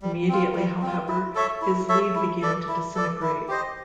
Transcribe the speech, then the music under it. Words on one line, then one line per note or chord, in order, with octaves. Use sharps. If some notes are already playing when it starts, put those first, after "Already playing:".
Immediately, however, his lead began to disintegrate.
G3
C4 F4
G3
C4 F4
E4
A4 C#5 E5
E4
A4 C#5 E5
E4
A4 D5
E4
A4 D5
E4
G4 C5 D#5